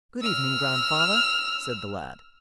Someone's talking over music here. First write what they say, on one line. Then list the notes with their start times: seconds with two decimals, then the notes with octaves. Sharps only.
'Good evening, grandfather!' said the lad.
0.22 E6 F6